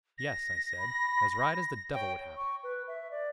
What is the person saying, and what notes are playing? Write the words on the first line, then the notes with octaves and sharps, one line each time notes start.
"Yes," I said, "as right as the devil would have it."
A#6
B5
C#5 G5
C#6
B4
E5
D5